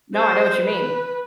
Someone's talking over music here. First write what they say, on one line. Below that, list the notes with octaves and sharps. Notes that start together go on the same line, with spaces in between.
No, I know what you mean.
C5
B4